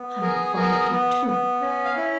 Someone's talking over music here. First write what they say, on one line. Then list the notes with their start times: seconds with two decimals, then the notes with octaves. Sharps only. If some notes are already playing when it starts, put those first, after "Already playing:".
"I might find a few, too."
Already playing: B3
0.22 G#4 A#4
0.56 B3 A#4
0.92 B3
1.26 B3
1.61 C#4
1.85 F5
1.97 E4